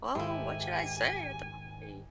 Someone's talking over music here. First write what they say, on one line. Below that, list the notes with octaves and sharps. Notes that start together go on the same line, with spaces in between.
"Woah, what should I say at the party?"
G#2 D#3 G#3 E4 G4 A4 G#5